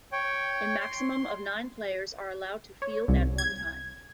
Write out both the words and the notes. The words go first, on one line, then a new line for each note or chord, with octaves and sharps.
A maximum of nine players are allowed to field at one time.
C#5 G5
C6
C#5
C2
G#6